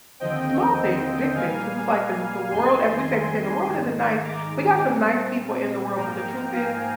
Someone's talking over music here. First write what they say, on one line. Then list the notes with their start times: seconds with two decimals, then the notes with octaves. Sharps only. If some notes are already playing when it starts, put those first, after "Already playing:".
small things, big things, 'cause it's like the the world as we say, we say "The world isn't nice. We got some nice people in the world, but the truth is,
0.20 D#2 D3 F3 C4 D#5 G5
1.35 A#2 G3 A#3 F5 G#5
2.51 F2 D#3 G3 G#5 C6
3.66 G#2 D#3 G#3
4.23 A#5 D6
4.80 A#2 G3 C4
5.96 G#2 F3 A#3 G5 A#5
6.53 F5 G#5